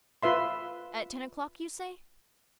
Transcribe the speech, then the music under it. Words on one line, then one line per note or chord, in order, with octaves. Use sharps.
"At ten o'clock, you say?"
F4 B4 E5 C6